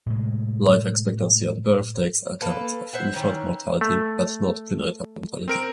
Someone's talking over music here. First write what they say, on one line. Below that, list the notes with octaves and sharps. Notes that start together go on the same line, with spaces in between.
Life expectancy at birth takes account of infant mortality but not prenatal mortality.
A2 C3 G#3
A#3 A4 B4
C5 E5 F#5
D#3 E3 C#4
A3
C4 A#4 D7